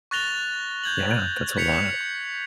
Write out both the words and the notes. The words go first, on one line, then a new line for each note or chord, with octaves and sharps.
Yeah, that's a lot.
C#6 F#6 A6 A#6 F7 G7
G6 G#6 F#7
G#6 B6 C#7 F7